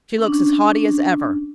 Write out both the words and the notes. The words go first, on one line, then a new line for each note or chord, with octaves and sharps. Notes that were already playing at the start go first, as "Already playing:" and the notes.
She looks as haughty as ever.
C#4 D4